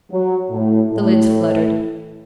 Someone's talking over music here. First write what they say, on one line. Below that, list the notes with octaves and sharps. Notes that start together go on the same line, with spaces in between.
The lids fluttered.
F#3
A2
A2